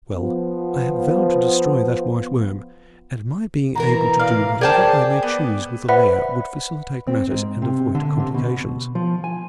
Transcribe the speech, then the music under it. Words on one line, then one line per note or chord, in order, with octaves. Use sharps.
"Well, I have vowed to destroy that White Worm, and my being able to do whatever I may choose with the Lair would facilitate matters and avoid complications."
F3 B3
B2 E3 A#4 A#5
D5 F5
G#4 A#4 C5 D5 G5 A5
B3
B4 C5 D5 E5 F#5 B5
C4
G#2
C3
D3
C3
B2
F3
G#5